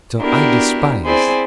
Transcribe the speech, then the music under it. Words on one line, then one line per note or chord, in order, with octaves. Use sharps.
So I despise.
B3 D4 E4 F#4 G4 A#4
C4 E4 G#4 C5 D5 G#5